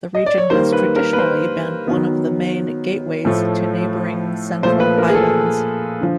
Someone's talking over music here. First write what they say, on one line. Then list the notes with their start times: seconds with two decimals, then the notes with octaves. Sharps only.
The region has traditionally been one of the main gateways to neighbouring Central Highlands.
0.15 D#5
0.26 D5
0.38 C#5
0.50 D#3 G3 A#3 C5
0.72 B4
0.96 A#4
1.13 B4
1.19 C5
1.87 D#3 F#3 B3
3.25 A2 F3 A3
4.63 A#2 F3 A3 C5
4.80 B4
4.98 A#4
5.09 G#4
5.15 A4
6.01 D3 F3